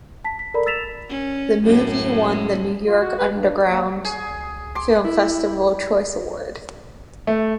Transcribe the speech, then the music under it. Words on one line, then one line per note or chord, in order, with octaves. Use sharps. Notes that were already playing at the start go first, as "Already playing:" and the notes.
The movie won the New York Underground Film Festival Choice award.
A5 B6
B6
A4 A#4 D5 A#5 B5
E6 A6 B6 E7 F7
C#4
F#2 A2
F4
F#4
B4
G2
D#2
G#4
C#2
C6 D6
E4
A3